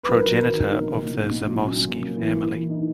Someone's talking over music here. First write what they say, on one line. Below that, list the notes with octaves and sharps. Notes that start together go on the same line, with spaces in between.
Progenitor of the Zamoyski family.
B4
F#3 A#4
F#3
D#3
D#4
A#2
A#2
D#4
A#2
F#3
C#4
A#2
A#3
E3
E3
E3
D#4